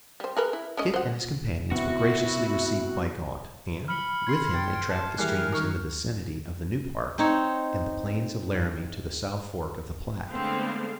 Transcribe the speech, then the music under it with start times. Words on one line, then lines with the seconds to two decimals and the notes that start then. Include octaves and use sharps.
Kit and his companions were graciously received by Gaunt; and, with him they trapped the streams in the vicinity of the New Park and the plains of Laramie to the South fork of the Platte.
0.20 G3 C5
0.37 G#4 A#4 B4
0.53 E4
0.77 G#3 C#4 D#5
0.94 C5 F#5
1.71 C3 B3 C4 E4 F#4
3.88 B5 F6 C#7
4.27 C6 G#6 C7
4.54 G5 A6
4.89 A5
5.18 E3 G3 G#3 A#4 F6 F#6 C7
5.52 D#3 C#6 F6
7.18 C4 D#4 C#5
10.30 D3 G#3 A3 B3 C4 F5